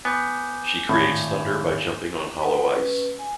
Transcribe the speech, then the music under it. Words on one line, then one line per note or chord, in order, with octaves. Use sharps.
She creates thunder by jumping on hollow ice.
B3 G#5 D6 G6
G#1 A2 G#6
D#4 B4 F#5 G5
C#4 B4
G#5